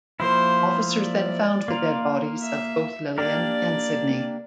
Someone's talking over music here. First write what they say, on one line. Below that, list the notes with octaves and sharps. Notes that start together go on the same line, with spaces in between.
Officers then found the dead bodies of both Lillian and Sydney.
F3 A#3 E4 C5
D5
A#3 F4 A#4
E5
A#3 D4 G4 A#4 D5